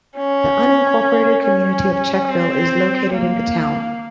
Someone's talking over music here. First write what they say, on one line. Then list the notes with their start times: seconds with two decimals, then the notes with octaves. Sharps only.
The unincorporated community of Czechville is located in the town.
0.17 C#4
1.44 C#4
2.29 C4
3.13 A#3